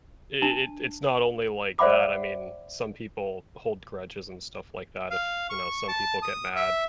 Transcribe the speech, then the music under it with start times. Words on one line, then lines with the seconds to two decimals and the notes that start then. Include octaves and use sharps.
i i it it's not only like that. I mean, some people hold grudges and stuff like that if, you know, some people get mad.
0.42 D4 A5
1.79 C5 D5 E5 F#5 B5 D6
5.10 F5
5.50 C#6
5.88 A5
6.23 D#6
6.56 E5